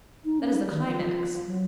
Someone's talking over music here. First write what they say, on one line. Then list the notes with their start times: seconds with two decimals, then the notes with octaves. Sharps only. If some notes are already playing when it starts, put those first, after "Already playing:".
That is the climax.
0.25 D#4
0.39 C#4
0.70 D#3
0.86 F3
1.46 F#3